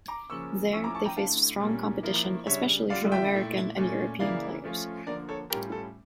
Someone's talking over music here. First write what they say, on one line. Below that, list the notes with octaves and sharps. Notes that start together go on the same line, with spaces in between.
There, they faced strong competition especially from American and European players.
A#5 D6
C#3 F3 A#3 C#4 C#6 E6
F3 A3 C#4 E4 C#6 E6
A#5 D6
A5 C#6
G5 A#5
D3 A3 E4 F5 A5
A#2 G3 A#3 C#4
F3 A#3 E4
C#3 G3 D4 C#5 E5
D3 G3 D4 F4 D5 F5
E5 G5
A#2 A3 E4
A#2 A3 C#4
C#3 E3 A#3 E4 D5 F5
F3 A3 C#4 F4
D3 F3 A#3 A#4 D5
A4 C#5
A2 G3 C#4 F4 G4 A#4
A4